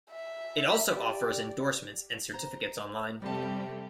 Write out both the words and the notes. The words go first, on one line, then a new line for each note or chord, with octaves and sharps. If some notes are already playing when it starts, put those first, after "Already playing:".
It also offers endorsements and certificates online.
E5
G4 D5
C5 A#5
F2 C3 G3 A3 G4 A5